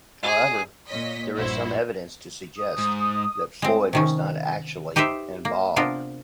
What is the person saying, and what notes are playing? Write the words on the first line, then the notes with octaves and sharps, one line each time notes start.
However, there is some evidence to suggest that Floyd was not actually involved.
G#4
A#2 C#5 D#5 B6
A#1 G2 E4 F#4 C5
D#6
G#2
G#3 C4
C3 D#3 C#4
D#4 G4 B4 C5 E5
A#3
C3 B3 D4 F4 A#4